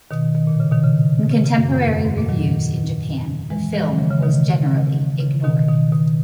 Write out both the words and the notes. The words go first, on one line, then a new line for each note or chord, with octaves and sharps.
In contemporary reviews in Japan, the film was generally ignored.
B2 D#3
B2 D#3
A#2
C#3
B2 D#3
C#3
C#3
C#3
F#2
F#2
E2
F#2
G#2
A#2
D#3 F#3
E3 G#3
E3 G#3
D#3 F#3
C#3 E3
C#3
B2 D#3
C#3
C#3
B2 D#3
B2 D#3
B2 D#3